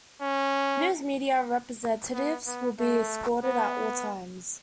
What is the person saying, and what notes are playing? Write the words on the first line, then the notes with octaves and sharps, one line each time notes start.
News media representatives will be escorted at all times.
C#4
B3
B3
A3
B3